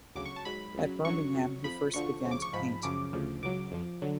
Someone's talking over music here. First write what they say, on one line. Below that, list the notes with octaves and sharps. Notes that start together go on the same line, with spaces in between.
At Birmingham he first began to paint.
D2 C#3 F#3 D6
C#6
A5
G#2 F#3 B5
C#2 C#3 F#3
F#2 D3 F#3 C#6
F2 C#3 F#3
F2 F3 B5
D2 D3 F3 C#6
D2 C#3 F3
D6
C#6
G#2 F3 B5
F#2 C#3 F3 D6
D2 C#3 F3
C#2 C#3 F#3 D6
F2 F3
D3 F#3